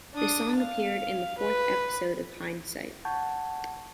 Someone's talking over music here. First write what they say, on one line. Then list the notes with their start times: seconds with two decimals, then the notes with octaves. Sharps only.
The song appeared in the fourth episode of "Hindsight".
0.14 D4 D#6
0.57 F5
1.38 B4
3.05 F#5 A5 C#6 G6 G#6